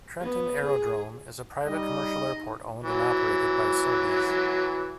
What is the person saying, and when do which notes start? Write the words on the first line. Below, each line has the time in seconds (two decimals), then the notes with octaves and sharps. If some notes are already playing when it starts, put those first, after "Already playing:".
Trenton Aerodrome is a private commercial airport owned and operated by Sobeys.
0.21 B3
0.66 G#4
1.66 G3 D#4 D#5
2.84 E3 F#3